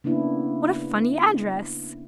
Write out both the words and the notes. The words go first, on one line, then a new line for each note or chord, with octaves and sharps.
"What a funny address!"
C#3 A#3 B3 D4 E4